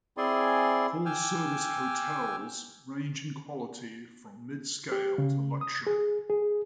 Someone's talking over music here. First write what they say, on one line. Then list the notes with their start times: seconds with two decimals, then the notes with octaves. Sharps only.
Full-service hotels range in quality from mid-scale to luxury.
0.17 C4 E4 G#4 D5 G#5 C6
1.06 G5 G#5 D6 E6 F6
4.92 G4
5.18 C#3
5.61 D#6
5.87 G#4
6.30 G#4